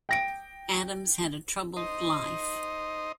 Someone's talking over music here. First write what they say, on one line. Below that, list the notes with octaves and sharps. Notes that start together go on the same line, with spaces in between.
Adams had a troubled life.
G5 A#6 D7
D#4 C5 D#5